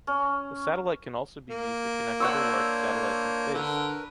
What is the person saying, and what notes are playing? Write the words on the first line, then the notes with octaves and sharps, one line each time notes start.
The satellite can also be used to connect other large satellites in space.
C#4
A#3
D4 C5 C#5 F#5 C#6 E6
D3 A#4 B4